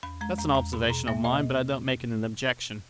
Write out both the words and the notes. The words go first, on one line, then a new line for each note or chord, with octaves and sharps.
That's an observation of mine, but I don't make it an objection.
E2 B5
G#3 A#5
E2 A#5
E2 A#5
B2 B5
B2 A#5
A#3 E5
B2 D#5